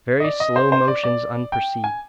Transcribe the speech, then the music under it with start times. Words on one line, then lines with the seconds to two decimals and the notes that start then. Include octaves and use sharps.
Very slow motions unperceived.
0.20 D#5
0.24 D5
0.40 D#5
0.56 C5
0.72 C5
0.88 D5
1.04 D5
1.52 G5
1.84 G#5